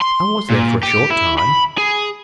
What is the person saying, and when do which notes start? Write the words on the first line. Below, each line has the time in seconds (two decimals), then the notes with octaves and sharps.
"I was there for a short time."
0.01 C6
0.50 A#2
0.83 G4
1.10 E4
1.39 B5
1.78 G#4